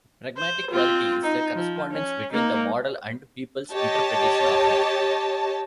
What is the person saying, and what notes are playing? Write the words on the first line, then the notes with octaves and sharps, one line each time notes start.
Pragmatic quality is the correspondence between the model and people's interpretation of it.
C5
C4 F4
D#4
F3
C#4
A#3 D#4
G4 C#5 D#5 A5